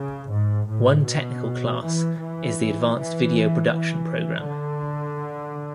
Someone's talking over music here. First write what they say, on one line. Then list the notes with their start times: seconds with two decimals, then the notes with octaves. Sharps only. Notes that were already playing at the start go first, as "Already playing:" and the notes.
One technical class is the advanced video production program.
Already playing: C#3
0.27 G#2
0.65 A2
1.03 B2
1.79 E3
2.17 E3
2.92 E3
3.68 E3
4.44 D3